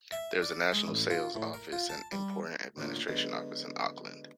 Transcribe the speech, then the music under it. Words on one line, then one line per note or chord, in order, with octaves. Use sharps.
There is a national sales office and import administration office in Auckland.
E5
D5
G#3
A1
F4
A2
A#4
F4
A5
G3
A2 D3 A#3 F4 F#4
D3 F#3 G#3 B3